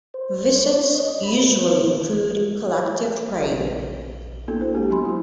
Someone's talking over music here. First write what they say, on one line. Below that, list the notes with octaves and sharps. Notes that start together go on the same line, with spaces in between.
Visits usually include collective prayer.
C5
C#5
D#5
B5
A#3 B3 D4 E4 F#4 A4
C5
G#3 F#4 G4 G#5
F#3 B3 G#5 B5 C6
E4 F#4